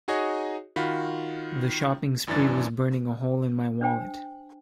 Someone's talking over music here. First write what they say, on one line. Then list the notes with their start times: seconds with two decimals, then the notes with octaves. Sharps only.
The shopping spree was burning a hole in my wallet.
0.08 D#4 F#4 G#4 C#5 D#5
0.76 D#3 F4 F#4 B5 B6
2.27 G#1 F#2 E3 D4 A6
3.81 D4 C5 G5 G#5